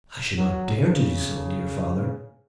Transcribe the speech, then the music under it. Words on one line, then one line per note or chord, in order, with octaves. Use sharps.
"I should not dare to do so, dear father."
F#3
C#3